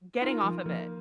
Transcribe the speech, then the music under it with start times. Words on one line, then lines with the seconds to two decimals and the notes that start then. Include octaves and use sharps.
Getting off of it.
0.21 D#4 F4 A#4
0.44 F3
0.66 F3 A#3